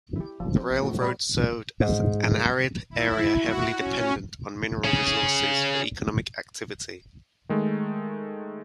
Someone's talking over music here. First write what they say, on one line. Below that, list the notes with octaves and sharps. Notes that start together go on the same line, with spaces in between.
The railroad served an arid area heavily dependent on mineral resources for economic activity.
E4 G4
F#1 F3
C4
A#1 B3 C4
A2 F3 A3 F#4
A#2 G3
G#2
E4
F#4
C#4
C#4 G#4
D#3 G#3 A3